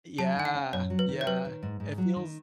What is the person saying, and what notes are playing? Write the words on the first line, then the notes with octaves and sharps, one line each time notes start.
Yeah, yeah, it feels
F#3 A5
D#3 G#5
F#5
C#4
F#2 C#5
F#3
B4
D#3
C#5
F#3 B4
D#3
G#2
G#2
F#3
D#3